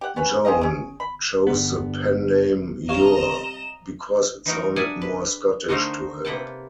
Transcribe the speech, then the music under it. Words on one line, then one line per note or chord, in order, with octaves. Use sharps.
Joan chose the pen-name "Ure", because it sounded more Scottish to her.
G4 F#5
B3 C#4 B4
C#4 F4 G4 D#5
C#4 G#4
B5
G2 D3 G3 B3
C3 G3 C#5 D#5 F5 A#5 E7
E3 D#4 F#4 A#4
D4 G#4 D5 E5 F#5 G#5
B4
D3 A3 D#4 F#4 A#4 C5
C3 A#3 B4 F#5 G5 A5